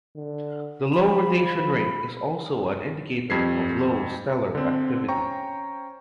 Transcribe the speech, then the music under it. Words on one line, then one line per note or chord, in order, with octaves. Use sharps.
The low rotation rate is also an indicator of low stellar activity.
D3
F3 B5
F2 G3 G#6 B6 C7
D3 C4
C#4 C5 C#5 G5 A#5 C#6